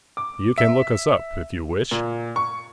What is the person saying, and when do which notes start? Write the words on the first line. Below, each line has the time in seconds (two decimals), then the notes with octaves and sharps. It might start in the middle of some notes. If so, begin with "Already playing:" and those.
You can look us up, if you wish.
0.17 D6
0.58 E5
1.91 A#2
2.36 C#6